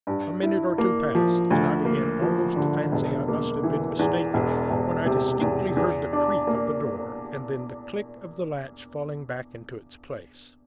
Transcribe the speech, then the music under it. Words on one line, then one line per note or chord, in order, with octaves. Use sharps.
A minute or two passed, and I began almost to fancy I must have been mistaken, when I distinctly heard the creak of the door, and then the click of the latch falling back into its place.
G2
E4
A#3
F3
D2
A#3
F3
D3
E1
A#3
E3
E2
E1
E1
C3
E2
E2
D4
A#3